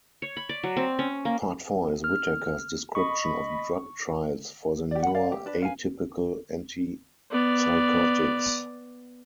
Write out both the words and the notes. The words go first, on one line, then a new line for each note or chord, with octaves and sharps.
Part Four is Whitaker's description of drug trials for the newer atypical antipsychotics.
C#5
B5
D5
F#3
C4
C#4
A#3
F6
D#5 B5 C#6
G4 D5
F#5 B5
D5 F5
G4
D4 B4
B4 F5 G#5
B3 D5